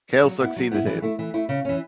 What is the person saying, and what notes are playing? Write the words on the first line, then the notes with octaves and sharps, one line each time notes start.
Cal succeeded him.
F#3
B3 E4
F#3
B3 E4
E3
A3 E4
E3
A3 E4
C#3
E3 C#4